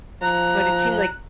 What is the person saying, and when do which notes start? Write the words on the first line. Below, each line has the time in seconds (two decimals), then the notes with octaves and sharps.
but it seemed like
0.22 F3 A#5 F#6